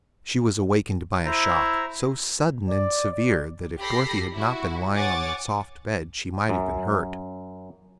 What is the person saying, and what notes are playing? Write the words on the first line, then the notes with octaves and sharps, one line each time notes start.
She was awakened by a shock, so sudden and severe that if Dorothy had not been lying on the soft bed she might have been hurt.
E4 C5 A#5
D5
D5
G4 A4 B5 A#6 C7
E4 F#4
C#5 F#5 G#5 D6 A6
F#2